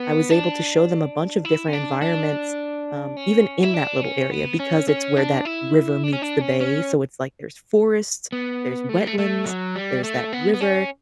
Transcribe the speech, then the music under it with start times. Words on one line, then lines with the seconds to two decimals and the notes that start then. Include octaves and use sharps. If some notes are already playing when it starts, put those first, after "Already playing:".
I was able to show them a bunch of different environments, um, even in that little area because it's where that river meets the bay. So, it's like, there's forests, there's wetlands, there's that river
Already playing: B3
0.30 D4
1.45 E4
1.68 C#4
1.73 D4
2.02 D4
3.17 C#4
3.63 E4
3.74 D4
4.03 C#4
4.31 B3
4.60 C#4
4.88 C#4
5.17 D4
5.45 E4
6.03 D4
6.13 C#4
6.22 D4
6.41 C#4
6.61 C#4
8.32 B3
8.89 A3
8.99 G3
9.07 A3
9.18 A3
9.46 F#3
9.76 G3
10.04 A3
10.33 B3
10.54 B3
10.61 C#4